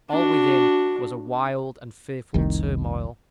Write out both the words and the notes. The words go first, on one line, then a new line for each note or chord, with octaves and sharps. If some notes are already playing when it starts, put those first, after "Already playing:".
All within was a wild and fearful turmoil.
D4 F#4
F1 C2 D#3